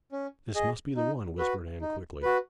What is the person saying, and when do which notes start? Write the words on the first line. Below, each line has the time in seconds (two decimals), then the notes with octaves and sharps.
'This must be the one,' whispered Anne quickly.
0.12 C#4
0.55 G#4 D#5
0.96 D#4
1.38 F#4 B4
1.81 D#4
2.23 F#4 B4